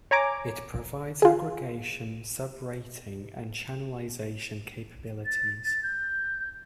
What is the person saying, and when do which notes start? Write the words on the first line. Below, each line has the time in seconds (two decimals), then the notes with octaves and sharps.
It provides aggregation, sub-rating and channelization capabilities.
0.11 C#5 G#5 A#5 D6
1.22 F4 G#4
5.25 A6
5.64 A6
5.83 G6